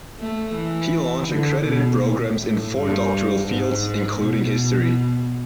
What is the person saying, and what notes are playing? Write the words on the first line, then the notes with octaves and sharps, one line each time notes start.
He launched accredited programs in four doctoral fields, including history.
A3
E3
D3
B2
A#2
A2
G2
G#2
B2